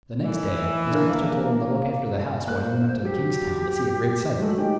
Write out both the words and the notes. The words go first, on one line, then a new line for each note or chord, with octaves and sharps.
The next day, his master told him to look after the house while he went up to the king's town, to see a great sight.
A2 D#3 E3
A#3 D4 A#4
A#3 C5 F#6
F#3 G4
F#3 G#3 A3
G#3 D#4 G4 G5